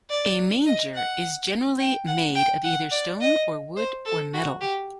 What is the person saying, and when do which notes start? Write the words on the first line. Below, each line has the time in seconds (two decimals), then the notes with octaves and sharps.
A manger is generally made of either stone or wood or metal.
0.10 D5
0.66 D#5
0.95 F#5
1.79 G5
2.07 F#5
2.35 G5
2.64 F#5
2.91 D5
3.21 D#5
3.77 C5
4.05 A4
4.33 F#4
4.61 G4